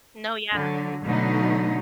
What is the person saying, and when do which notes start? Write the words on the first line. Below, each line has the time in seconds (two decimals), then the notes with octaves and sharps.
No, yeah.
0.54 D3 F#3
1.04 B2 D3 F#3 A3 D#4